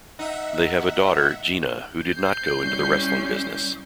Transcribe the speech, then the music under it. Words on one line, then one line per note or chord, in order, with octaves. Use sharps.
They have a daughter, Gina, who did not go into the wrestling business.
D#4 E5 F#5
G6 C7
G3 C#4 E4